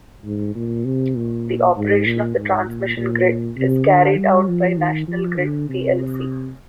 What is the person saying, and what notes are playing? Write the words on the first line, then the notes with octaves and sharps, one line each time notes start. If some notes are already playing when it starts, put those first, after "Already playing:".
The operation of the transmission grid is carried out by National Grid plc.
G#2
A#2
C3
A#2
G#2
A#2
G#2
A#2
A#2
C3
D3
G3
F3
D#3
F3
D3
C3